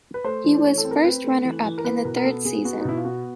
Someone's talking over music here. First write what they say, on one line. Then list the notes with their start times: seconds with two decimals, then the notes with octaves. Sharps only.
He was first runner-up in the third season.
0.14 B4
0.24 A3 C5
0.44 E3
0.53 D5
0.64 A3 C#5
0.78 A4
0.85 C4
0.91 A#4
1.05 C4 B4
1.24 A3
1.45 E3
1.65 E3
1.78 A#4
1.85 B3 B4
2.05 B2 A#4
2.17 A#4
2.25 B3 A4
2.45 B3 G#4
2.65 B3 F#4
2.81 D#4
2.85 B2 E4
2.97 F4
3.05 B3 F#4